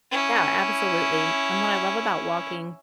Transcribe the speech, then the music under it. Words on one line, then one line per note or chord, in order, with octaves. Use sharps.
Yeah, absolutely. And what I love about walking
C#4 E4